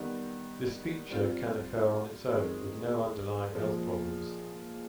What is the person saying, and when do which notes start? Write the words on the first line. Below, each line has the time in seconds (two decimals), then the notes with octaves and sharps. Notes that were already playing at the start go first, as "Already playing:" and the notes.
This feature can occur on its own, with no underlying health problems.
Already playing: D#3 G3 B3
1.09 G3 C4 F4
2.31 D#3 G#3 C4
3.52 A#2 F3 G#3